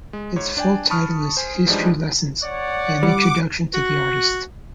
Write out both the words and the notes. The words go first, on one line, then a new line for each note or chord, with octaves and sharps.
Its full title is "History Lessens - An Introduction to the Artist".
G#3
G#2 C#5
D4 D5 G5 G#5
A5 B5 C#6 D#6 F6
C5 G#5
E3 F3 G3 G#3 D4 D#4
C#5 D5 F#5
G3 D6
F#4